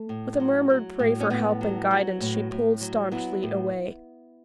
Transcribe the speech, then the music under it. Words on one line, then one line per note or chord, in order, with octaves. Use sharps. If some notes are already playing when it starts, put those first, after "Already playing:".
With a murmured prayer for help and guidance she pulled staunchly away.
Already playing: A3
A2
F#3
F#3
A2
C#4
A2 B3
F#3
F#3
A2
A2
F#3
F#3 B3 E4
A2